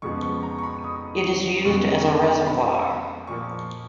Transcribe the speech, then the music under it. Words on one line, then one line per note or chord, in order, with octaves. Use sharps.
It is used as a reservoir.
F2 C#3 F3 G#3 B3 C#6
C#6
A#5
C#6
B5
D#6
F2 C#3 G#3 B3 C#6
B5
A#2 F3 A#3 C#6